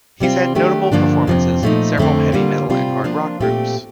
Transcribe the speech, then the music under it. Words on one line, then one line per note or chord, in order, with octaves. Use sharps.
He's had notable performances in several heavy metal and hard rock groups.
C3 G3 C4 F4
D#3 A3 D4 G4
G2 D3 F3 A#3 D4
F2 C3 F3 C4
A#2 F3 A3 D#4
F2 D3 A3 C4
D3 G3 A#3 F4
C3 G3 C4 F4
F3 A#3 D4 F4
A#2 A3 C4 G4